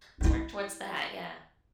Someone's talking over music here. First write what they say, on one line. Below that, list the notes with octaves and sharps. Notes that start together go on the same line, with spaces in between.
Let's work towards that. Yeah.
D#4 E4